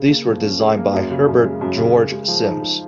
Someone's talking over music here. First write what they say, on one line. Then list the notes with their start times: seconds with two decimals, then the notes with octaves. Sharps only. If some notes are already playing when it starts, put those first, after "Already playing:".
These were designed by Herbert George Simms.
Already playing: C#3 G#4
0.10 A#3
0.26 F3
0.43 C#4
0.60 G#4
0.77 A#3
0.93 F#2
1.11 C#3
1.28 F#2
1.44 G#3
1.61 F#2
1.78 C#3
1.95 G#4
2.12 G#3
2.28 F3
2.45 D#4
2.62 G#4